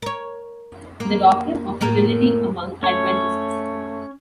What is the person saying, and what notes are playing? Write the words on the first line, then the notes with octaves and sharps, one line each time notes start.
"The Doctrine of the Trinity Among Adventists".
A#4 C#5
A#3
A2 A#3 A#4
A3 C#4 C#5